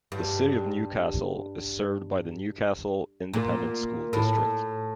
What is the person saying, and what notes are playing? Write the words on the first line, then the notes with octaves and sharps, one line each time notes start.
The City of Newcastle is served by the Newcastle Independent School District.
G2
A#2
A2